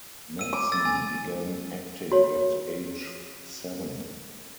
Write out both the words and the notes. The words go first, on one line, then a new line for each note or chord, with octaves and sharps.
Mattson began acting at age seven.
E6 D#7
D6
E6 A6
G#5
F#4 C#5